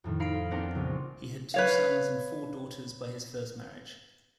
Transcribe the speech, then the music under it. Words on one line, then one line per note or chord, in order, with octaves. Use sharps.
He had two sons and four daughters by his first marriage.
F2 A2 D#3
D#4 F5 B5 C7 D7
F4
B3 C4 D4 A#4 G5
A#1 C#3 G3
B4 C#5 F5